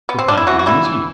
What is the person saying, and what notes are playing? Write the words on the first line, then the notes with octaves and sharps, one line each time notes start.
"What kind of man is he?"
B3
C4
D4
E4
E3 F#4
F#4
G3 B3 E4
E3